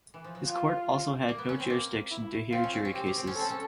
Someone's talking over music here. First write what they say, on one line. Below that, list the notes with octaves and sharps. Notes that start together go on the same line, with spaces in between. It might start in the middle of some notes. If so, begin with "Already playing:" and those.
His court also had no jurisdiction to hear jury cases.
E3
F3
F#3
G3 F4
A#3
B3
C#4
C4
A#3
E4
C4 F4
C#4
C4
C#4
C4 G4
C#4
C4
C#4
C4 A4
C#4